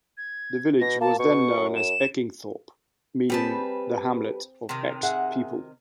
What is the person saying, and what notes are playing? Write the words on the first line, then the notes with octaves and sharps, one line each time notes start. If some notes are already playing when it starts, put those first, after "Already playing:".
The village was then known as Eckingthorp, meaning 'The hamlet of Eck's people'.
G#6
B2 A#6
A#3 A5
B2 C#6
F#2
E7
G3 C4 G#4 B4 A5
C3 D#3
G#4 E5 F#5